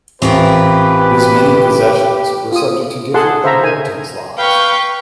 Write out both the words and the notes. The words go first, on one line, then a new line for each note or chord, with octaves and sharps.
His many possessions were subject to different inheritance laws.
A1 C4 F4 G4 A#4 B4
F4 D#6
G#4 A4 F#5 A5 C6
C5 E5 F5 A#5
G#5
B4 F5 G5 C#6